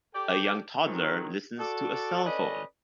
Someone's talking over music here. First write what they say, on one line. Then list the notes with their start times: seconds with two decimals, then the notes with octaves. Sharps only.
A young toddler listens to a cellphone.
0.14 G4 A4 D5 G5
0.86 G#2 D#3 F3 F#3
1.58 F#4 A4 D5
2.25 C#4 A4 B4 D5 D#5